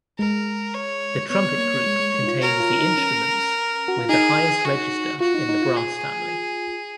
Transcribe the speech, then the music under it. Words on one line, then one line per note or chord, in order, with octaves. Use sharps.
The trumpet group contains the instruments with the highest register in the brass family.
G#3 A#4
C#5
B3 C#5
A#3
G#3
G#3
G#3
D#4
F4
F#4 A#4
F4
D#4
C#4
F#4
F4
D#4 G#4
F#4
F4 F#4
D#4
D#4
F4
G#4